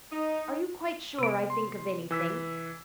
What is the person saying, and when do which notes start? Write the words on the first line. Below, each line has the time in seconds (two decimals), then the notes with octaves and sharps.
"Are you quite sure I think of anything?"
0.12 D#4
1.19 C3 B3
1.50 C6
2.11 E3 E6 B6